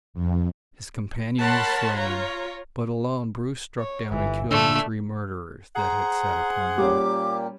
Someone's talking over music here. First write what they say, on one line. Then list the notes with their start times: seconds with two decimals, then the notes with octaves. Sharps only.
His companion was slain, but alone Bruce struck down and killed the three murderers that had set upon him.
0.14 F2
1.41 A#4 C#5 F#5 A5 B5 C6
1.99 F4 C#5 A#5
3.79 C#5
4.12 G1 E3
4.51 A#2 D3 A3 D4 E6
5.76 G#4 C5 F#5 A#5
6.78 A#2 G3 A#3 C#4 G4 D6